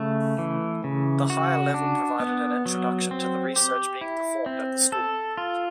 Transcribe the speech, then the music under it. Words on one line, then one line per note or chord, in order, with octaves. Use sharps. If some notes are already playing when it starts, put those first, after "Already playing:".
The higher level provided an introduction to the research being performed at the school.
Already playing: C#3 A3
E3
C#3
F#4
D4
B3
F#3
C4
G4
E4
C4
A4
F4